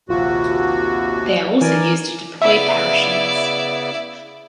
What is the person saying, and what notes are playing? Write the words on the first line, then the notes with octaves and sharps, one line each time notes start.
They are also used to deploy parachutes.
A#1 D#2 C3 F4 F#4
E3 A#4 D5 G#5
C#3 B3 E4 D5 E5